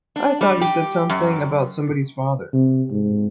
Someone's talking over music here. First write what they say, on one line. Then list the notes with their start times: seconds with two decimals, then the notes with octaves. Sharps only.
I thought you said something about somebody's father.
0.16 D4
0.41 G3
0.61 G4
1.10 F#2
2.53 C3
2.91 G#2